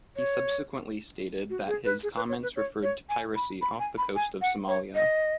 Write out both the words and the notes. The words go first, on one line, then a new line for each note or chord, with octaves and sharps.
He subsequently stated that his comments referred to piracy off the coast of Somalia.
C#5
F#4
G#4
B4
G#4
B4
C#5
B4
C#5
C#5
G#5
B5
B5
G#5
B5
G#5
F#5
C#5
D#5